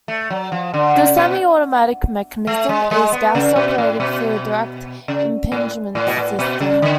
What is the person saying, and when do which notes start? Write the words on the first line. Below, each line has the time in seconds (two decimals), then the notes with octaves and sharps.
The semi-automatic mechanism is gas-operated through the direct impingement system.
0.08 A3
0.30 F#3
0.52 F3
0.74 D3
0.95 C#3
1.17 B2
2.47 A3
2.69 G#3
2.91 G#3
3.12 B3
3.35 C#3
3.56 B2
3.78 A2
4.00 B2
5.08 C#3
5.52 A2
5.95 A2
6.07 B2
6.17 A2
6.39 B2
6.60 C#3
6.82 D3